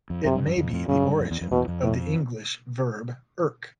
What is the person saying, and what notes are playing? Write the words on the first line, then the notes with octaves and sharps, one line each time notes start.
It may be the origin of the English verb "irk".
F2
F#2 C3
G2
F#2
F2
F2
F#2 C#3
G2
F2
E2
F2
E2 B2
F2
A2